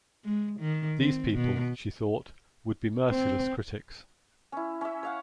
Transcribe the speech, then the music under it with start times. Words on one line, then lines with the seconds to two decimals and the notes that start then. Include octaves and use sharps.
These people, she thought, would be merciless critics.
0.25 G#3
0.60 D#3
1.00 C4
1.34 B2
3.11 C4
4.52 C#4 E4
4.81 C#4 E5
5.03 C#5 F5 F#5